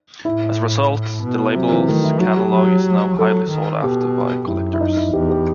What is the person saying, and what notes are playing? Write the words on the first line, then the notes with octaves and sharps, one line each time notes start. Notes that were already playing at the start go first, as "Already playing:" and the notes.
As a result, the label's catalog is now highly sought after by collectors.
A2 E4
B2
C3 F#3
E3
D#3 A3
E4
F#3 F#4
G4
F#3 G4
F#3 A4
D#3
B2 G4
F#2 E4
E4
D#4
E4
E2 G4
G4